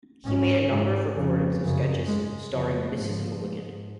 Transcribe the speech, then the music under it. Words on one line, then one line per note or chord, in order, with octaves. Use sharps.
He made a number of recordings of sketches starring Mrs. Mulligan.
G#2 C#4
G#2
F2 C#3
F#2 C#3
G#2 G#3
F2 C#3 F3
G#2 F3
G#2